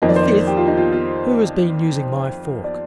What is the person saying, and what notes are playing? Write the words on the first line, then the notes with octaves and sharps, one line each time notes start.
The fifth, "Who has been using my fork?"
F2 D#3 A#3 D#5
D5
C5
D5
G4
F4
D#4
F4
F4
D5